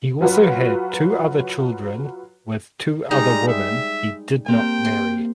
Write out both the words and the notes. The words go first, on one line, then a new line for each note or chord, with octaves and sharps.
He also had two other children with two other women he did not marry.
F#3 F4 F#4 B4
G3 G#3 D#4 A#5
E5
A#3 C4 G4 G5
C6